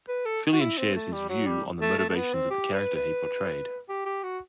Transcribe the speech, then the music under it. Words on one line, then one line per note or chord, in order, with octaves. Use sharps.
Fillion shares his view on the motivations of the character he portrayed.
B4
A4
F#4
E4
C4
A3
G3
F#3
G3
A3
A3
A3
B3
C4
G4
B4
B4
G4
G4
F#4